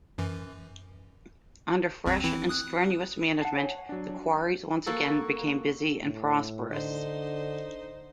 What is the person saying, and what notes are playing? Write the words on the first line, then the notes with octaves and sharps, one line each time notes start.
Under fresh and strenuous management the quarries once again became busy and prosperous.
F#2 E3
G#1 E2 C4
E3 C4 E4
D#6 F#6
F#5 A5 C7
C#5 G#5
F#3 D4
A#3 F#4 A4
A2
D3 D#4 C5